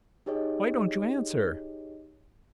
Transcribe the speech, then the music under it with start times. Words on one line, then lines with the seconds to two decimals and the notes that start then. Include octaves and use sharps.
Why don't you answer?
0.26 D#4 G4 G#4 C#5 D#5